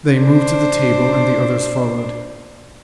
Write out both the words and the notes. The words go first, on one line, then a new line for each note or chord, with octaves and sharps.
They moved to the table and the others followed.
D4 C5